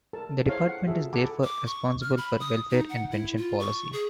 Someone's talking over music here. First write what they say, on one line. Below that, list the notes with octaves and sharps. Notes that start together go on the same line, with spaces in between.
The Department is therefore responsible for welfare and pension policy.
A4 A#4 A5
E4 G#4 A4 C5 C#5 F5
F#5
F4 F#4 G#4 A4 E5
G#4 A4 F#5 G#5 B5 D6
D6
C#6
F6
B5
D#6
D#4
F#5
E4
F4
C#6
G#4